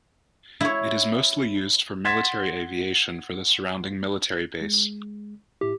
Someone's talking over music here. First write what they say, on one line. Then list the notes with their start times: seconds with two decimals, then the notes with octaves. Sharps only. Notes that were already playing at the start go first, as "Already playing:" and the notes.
It is mostly used for military aviation for the surrounding military base.
0.61 E4 C#5
2.05 F#5 C6 G#6 A6 B6 E7
4.61 G#3
5.61 A2 E4 G4